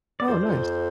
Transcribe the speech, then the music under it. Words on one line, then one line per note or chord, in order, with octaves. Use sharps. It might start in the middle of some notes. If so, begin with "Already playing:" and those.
Oh, nice.
D5
F2 C5
F2